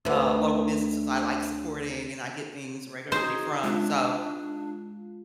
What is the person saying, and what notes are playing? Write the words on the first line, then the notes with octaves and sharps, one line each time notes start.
uh, local businesses I like supporting and I get things regularly from, so
D2 B4
D#4 F#4 G#4 C5
G#3 D4 F4